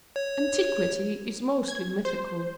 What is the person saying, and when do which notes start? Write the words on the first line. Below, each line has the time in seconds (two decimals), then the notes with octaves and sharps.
Antiquity is mostly mythical.
0.16 C#5
1.68 G#6
2.05 C5